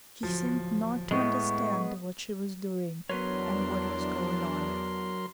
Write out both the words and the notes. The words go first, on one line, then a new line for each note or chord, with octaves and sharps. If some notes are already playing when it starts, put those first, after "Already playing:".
She seemed not to understand what she was doing and what was going on.
D1 F3
A2 G#3 A3 B3 D#5 C#6
E2 F#3 B3 D4 A#4 B4 C#5 C6